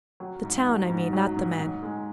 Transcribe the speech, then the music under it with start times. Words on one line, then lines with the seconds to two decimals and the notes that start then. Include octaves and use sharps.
The town, I mean; not the men.
0.20 F#3
0.43 G#2
0.67 F#3
0.89 G#2
1.13 F#3
1.36 G#2
1.59 G#2
1.82 G#3